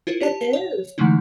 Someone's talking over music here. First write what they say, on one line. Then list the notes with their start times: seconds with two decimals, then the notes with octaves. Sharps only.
It is.
0.07 E4 F4 A#4 C5
0.21 G4 A5
0.53 C#5
0.98 D3 E3 G#3 A3 D#4 E4